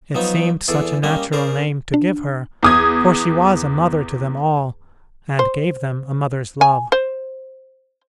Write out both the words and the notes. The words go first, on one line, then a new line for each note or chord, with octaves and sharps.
It seemed such a natural name to give her, for she was a mother to them all, and gave them a mother's love.
F3 F#3 B3 D#4
E2 G#4 A4 D5 G#5 C#6
G3 A#3 C#4 D#5
C#4 G#4 A#4 C5 D5
D4
E2 D#6 G#6
C5
G#5
C5